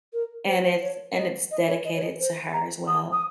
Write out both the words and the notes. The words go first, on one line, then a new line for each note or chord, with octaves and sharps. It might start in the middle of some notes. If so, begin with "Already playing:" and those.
and it's and it's dedicated to her as well.
A#4
C5
C5
C#5
D#5
D#5
C#5
D#5
C#5
D#5
C5
A#5
D#6
D#6